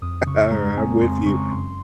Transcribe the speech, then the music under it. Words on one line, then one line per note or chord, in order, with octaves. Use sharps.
Alright. I'm with you.
F2 D#6
C#3 C#6
G#3 A#5
C4 G#5
F2 C6
C6
C#3 C#6
F#2 C6